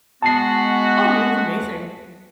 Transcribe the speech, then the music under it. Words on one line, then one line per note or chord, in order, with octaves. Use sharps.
Oh yeah, he's amazing.
G#3 B3 F#4 A5 C7